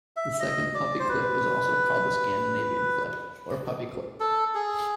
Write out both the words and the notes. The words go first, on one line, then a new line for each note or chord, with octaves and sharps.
The second puppy clip is also called the Scandinavian clip or puppy clip.
E5
D#5
D5
C5
B4
A4
G#4